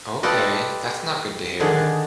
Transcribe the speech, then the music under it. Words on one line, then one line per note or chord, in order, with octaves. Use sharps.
Okay, that's not good to hear.
F4 G4 A4 B4 D5 D#5
D3 D#3 D4 G#4